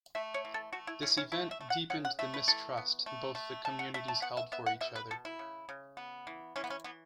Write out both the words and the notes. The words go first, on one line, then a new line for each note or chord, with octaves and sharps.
This event deepened the mistrust both the communities held for each other.
A3 E5
C#5
E3
A4
A3 F#4
E4
E3 C#4
C#4
A3 E4
E5
A3
F#5
C#3 F#5
F#5
A3 E5
B4
E3 A4
B3
A3
A3
A3 A5
F#5
A3 E5
A5
B3 F#5
E5
B3 E5
F#5
B2 E5
B4
B2 A4
E4
C#3
C#3
B3
E3
E3 C#4
B3
C#4
E3 B3